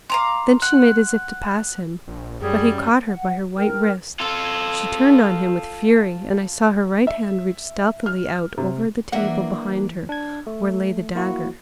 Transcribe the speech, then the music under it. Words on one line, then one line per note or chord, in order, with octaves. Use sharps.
Then she made as if to pass him, but he caught her by her white wrist; she turned on him with fury, and I saw her right hand reach stealthily out over the table behind her, where lay the dagger.
F5 A#5 C6 D6
F#5 F#6
A#1
F#2 G3 G#4
F#5
A#4 G5 F6
F4 A4
E5
F6
C3
E3 F#3 A#3 D4 E5 F#5
D4 G#6
A3
A#3 E4 F#4